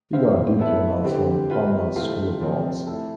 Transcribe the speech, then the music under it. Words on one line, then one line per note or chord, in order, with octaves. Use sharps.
He got a diploma from Parma’s School of Arts.
C4 E4 G4 C5 F5
B3 E4 A4 E5
D3 G3 C4 G4 C5
G3 C4 F4 B4
C3 E3 A3 C4 F4
C3 F3 C4
A3 E4 A4